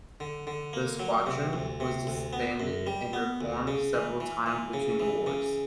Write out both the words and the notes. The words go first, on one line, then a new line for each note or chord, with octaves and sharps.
The squadron was disbanded and reformed several times between the wars.
D3
D3
A#3
F#3
C3
D2
C3
D2
B3
F#2
G3
B3
D2
C#3
E3
E3
E3
C#3
E3
C#3